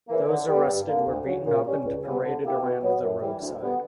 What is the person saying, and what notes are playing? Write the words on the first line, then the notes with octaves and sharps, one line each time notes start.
Those arrested were beaten up and paraded around the roadside.
C#3 E3 A#3
D3
G3 B3
G2
D3 A#3
D2
C#3 F#3
A#2
G3 C#4
C#2
C#3 G3 B3
D3
A#3 E4 G4
B2
F#3 B3
F#2
E3 G3
D2
D3 G3 B3